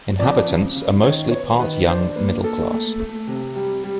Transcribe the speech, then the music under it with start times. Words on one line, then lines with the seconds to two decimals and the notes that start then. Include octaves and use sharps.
Inhabitants are mostly part young middle class.
0.19 F2 D5
0.47 C#3
0.76 C#3
1.03 D#3 C#5
1.31 B3 C#5
1.59 D#3 B4
1.87 D4 C5
2.16 A#3 B4
2.44 A#3 A4
2.72 A3
3.00 A3
3.27 C3
3.56 G3
3.84 G3